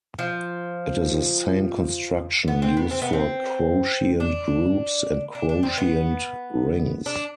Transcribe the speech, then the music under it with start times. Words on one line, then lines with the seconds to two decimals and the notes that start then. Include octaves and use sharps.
It is the same construction used for quotient groups and quotient rings.
0.19 F3
2.48 B3
2.62 C4
2.77 B3
2.91 C4
3.02 B3
3.13 C4
4.20 D4
5.35 D4
5.49 D4
5.63 C4
5.78 B3
7.06 D4